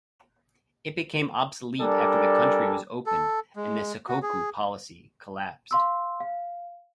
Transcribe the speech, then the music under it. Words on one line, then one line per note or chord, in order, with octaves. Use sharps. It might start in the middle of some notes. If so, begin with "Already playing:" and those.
It became obsolete after the country was opened and the "sakoku" policy collapsed.
G3 D4 A4 A#4 D5 G#5
A4
G#3
F#4
G#4
F5 C6 E6
F5